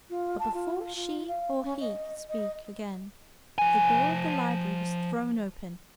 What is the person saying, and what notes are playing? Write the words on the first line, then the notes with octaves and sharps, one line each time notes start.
But before she or he could speak again, the door of the library was thrown open.
F4
A5
F4
F4
F5
C#4
D#5
D#5
F3 G#5